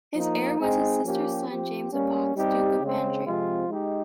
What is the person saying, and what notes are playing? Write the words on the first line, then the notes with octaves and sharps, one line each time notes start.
His heir was his sister's son James of Baux, Duke of Andria.
F3 A#3 D#4
G#3 C4 D#4 G#4
F3 A#3 C#4 G4
F3 C4 G4
G3 A#3 C#4
G3 C4 D#4 G4
C#3 G#3 C4
C3 F3 G#3 C4 F4
G#3 D#4 G4